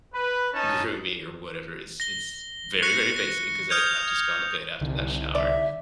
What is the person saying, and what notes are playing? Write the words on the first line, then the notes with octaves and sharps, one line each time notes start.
grooming or whatever it's it's very, very basic, cause I you know, I've just gone to bed after that shower,
B4
C#4 D#4 A5
A#6 G7
C#6 F#6 A#6 C#7
A#6
D#6 F6 G6 G#6 F7
C2 D3 D#3
D5 E5